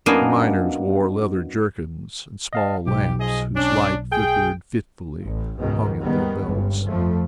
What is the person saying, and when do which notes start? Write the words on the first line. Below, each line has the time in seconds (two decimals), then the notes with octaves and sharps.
The miners wore leather jerkins, and small lamps, whose light flickered fitfully, hung at their belts.
0.06 F#2 A#3 B3 D4 D#4 G#5
2.53 D#5 F5 A5
2.86 B1 G4
3.20 F3 G#4 D#5
3.55 C#4 D4
4.12 G#4 G5
5.25 A1
5.59 C#2 G#2 B2 D#3
6.02 G#2 D#3 G3 B3
6.41 G1 C#2 G2
6.86 F2 F3 A3